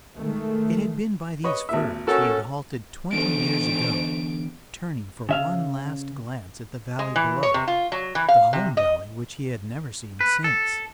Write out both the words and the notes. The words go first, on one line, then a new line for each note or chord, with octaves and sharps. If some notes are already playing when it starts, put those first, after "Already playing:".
It had been by these firs he had halted twenty years ago, turning for one last glance at the valley below, the home valley which he had never seen since.
D#3 G#3 A3
B4 C#5 D#5
G#1 A#2 E5
C#4 F#4 A4 A#4
E2 D3 D7
C#3 E5 F5
G#3
E3
C#5
C3
F4
F#3
E3
F5
C3
D#5
B4
A4